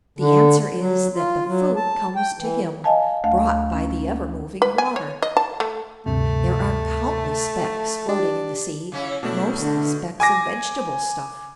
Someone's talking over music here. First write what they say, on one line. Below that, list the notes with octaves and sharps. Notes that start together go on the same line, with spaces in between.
The answer is, that the food comes to him, brought by the ever-moving water. There are countless specks floating in the sea, mostly specks of vegetable stuff.
D3
F#3
F4
F#3
A5
G5
E3
D#5 F5 G#5 A5
D2 A3 F5
C#4
B4
G#5
C#5
D#5
A5
A3
D2 G2 C3 A3
D4 G4
C#3 C#4 E4
B2 A3 D4 E4
D3
G#5 D6 A#6